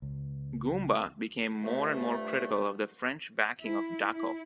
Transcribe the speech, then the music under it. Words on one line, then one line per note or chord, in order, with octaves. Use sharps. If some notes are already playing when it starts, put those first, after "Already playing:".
Goumba became more and more critical of the French backing of Dacko.
C#2
G2 D3 F3 A3
E4
E4